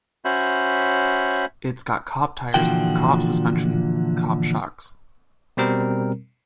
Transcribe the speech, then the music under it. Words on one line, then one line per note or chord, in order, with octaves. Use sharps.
It's got cop tires, cop suspension, cop shocks.
C#4 F#4 C5 C#5 E5 B5
A#2 D3 E3 F3 F#4 G5
B2 G3 C4 A#4